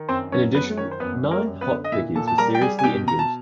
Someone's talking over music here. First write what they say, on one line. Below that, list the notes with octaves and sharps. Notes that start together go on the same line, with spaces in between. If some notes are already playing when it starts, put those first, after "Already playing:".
In addition, nine hop-pickers were seriously injured.
Already playing: D#3
F#2 C4 C5
F#3 C#4 C#5
F#2 B3 B4
D#3 C#4 C#5
C5
F#2 B3 B4
G3
A#3 A#4
F#2
B3 B4
D3
D#5
A#2 E4 E5
A#2 A4 A5
A5
G3 A#4 A#5
G5
G3 G#4 G#5
G#5
B2 G4 G5
B2 A#5
A5